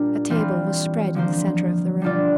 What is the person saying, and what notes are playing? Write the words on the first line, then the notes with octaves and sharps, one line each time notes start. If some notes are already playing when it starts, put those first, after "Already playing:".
A table was spread in the centre of the room.
Already playing: A#2 G3 D4 A#4
E3 G3 C4 F4
D3 F3 A#3 C5
B2 G3 A#3 D4 F4 D5